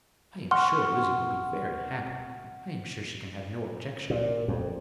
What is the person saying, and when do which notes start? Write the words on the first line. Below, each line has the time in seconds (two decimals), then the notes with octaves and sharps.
I am sure Lizzy will be very happy--I am sure she can have no objection.
0.51 F#5 C6 C#6 F6
4.10 A#2
4.48 F2